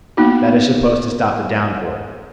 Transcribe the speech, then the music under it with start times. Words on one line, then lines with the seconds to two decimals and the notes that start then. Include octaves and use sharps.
That is supposed to stop the downpour.
0.17 A#3 B3 D#4 F#4